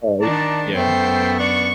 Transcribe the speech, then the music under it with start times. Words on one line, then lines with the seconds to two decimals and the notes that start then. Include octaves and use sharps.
Right, yeah.
0.22 D#3 D4 D5 A5 A#5
0.76 F#2 A3 B3 C5 G5 C7
1.39 D4 C#6 C#7